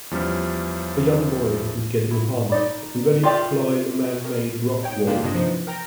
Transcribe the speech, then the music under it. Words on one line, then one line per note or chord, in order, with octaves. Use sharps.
A young boy is getting harnessed and ready to climb a manmade rock wall.
E2 F3 G3 C#4 F6
E4
D#4 D5 B5
F4 G4 D5 E5
A#4
D#4 C#5 G5
C#3 A#3 D4 D#4 F4 G4
G2 C3 D4 D#5
F3 D#4
E3
A#4 G5 A#5 A#6